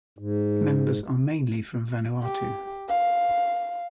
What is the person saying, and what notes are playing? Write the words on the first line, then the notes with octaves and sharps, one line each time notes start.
Members are mainly from Vanuatu.
G#2
G4
F5